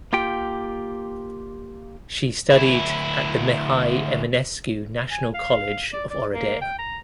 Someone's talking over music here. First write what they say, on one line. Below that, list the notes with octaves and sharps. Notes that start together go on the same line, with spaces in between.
She studied at the Mihai Eminescu National College of Oradea.
A#3 F4 G4 G5
D2 E4
G#5
F5
D5
D5
A#3
G5
A#5